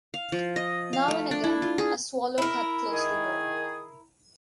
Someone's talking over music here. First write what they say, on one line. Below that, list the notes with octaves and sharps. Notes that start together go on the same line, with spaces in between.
Now and again, a swallow cut close to her.
F5
F3
D#5
F5
A3
D4
E4
F4
G#4
E4 A#4
D#3 G#4